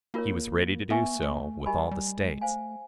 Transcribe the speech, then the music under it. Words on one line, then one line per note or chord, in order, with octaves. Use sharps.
He was ready to do so with all the States.
A#3 F4 A#4 C#5
B3 B4 E5 G#5 C#6
A#3
A3
A#3
A3
G3 G4 A#4 D#5 G#5 B5
G3
G#3
A3 C5 F5 G#5